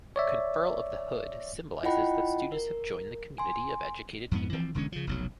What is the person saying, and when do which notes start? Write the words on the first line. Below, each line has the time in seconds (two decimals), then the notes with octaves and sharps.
Conferral of the hood symbolizes that students have joined the community of educated people.
0.16 C#5 D5 E5
1.83 E4 F4 D#5 F#5 G5 B5
2.52 A#4
3.38 G#5 C6
4.31 F2 G#2 B3
4.53 E3 F3 C4
4.75 E1 D3 G#3 C#4
4.92 C#3 F3
5.07 F1 B1 F#3